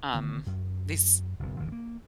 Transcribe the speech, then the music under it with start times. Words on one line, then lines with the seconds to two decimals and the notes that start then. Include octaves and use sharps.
um, these
0.13 D3 D#3 B3
0.46 F#2
1.40 F#1 B1
1.59 A1 D#2 D3 D#3
1.72 A#3